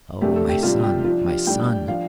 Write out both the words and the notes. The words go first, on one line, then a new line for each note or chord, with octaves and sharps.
Oh, my son, my son!
C3 A3 D4 G4
A4
G4
C3 G3 D4 F4
G4
F3 D4 F4
G4
A2 G3 D4 G5
F3 D4 F5